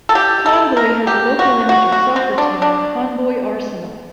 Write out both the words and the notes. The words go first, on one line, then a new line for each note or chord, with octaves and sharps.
Convoy has a local amateur soccer team, Convoy Arsenal.
A4
G4
A4
A#4
G4
F#4
F#4
F#4
C4
D4
D4